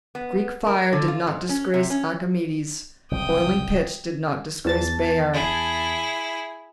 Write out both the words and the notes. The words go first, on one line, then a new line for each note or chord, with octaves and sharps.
Greek fire did not disgrace Archimedes, boiling pitch did not disgrace Bayard.
B3
A#4
D3
F4
G#2
C#4
C3
C#4
F#1 C2 A#2 G5 D#6
E2 A5 A6
E4 G#4